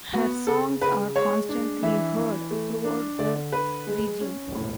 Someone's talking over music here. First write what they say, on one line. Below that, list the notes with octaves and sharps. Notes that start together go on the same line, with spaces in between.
Her songs are constantly heard throughout the region.
B3 F#4
C#3 A4
C#3 B4
G#3 C#5
D4
E3 E5
E3
A3
D4
D3 D5
D3 B4
G#3
C#4
A2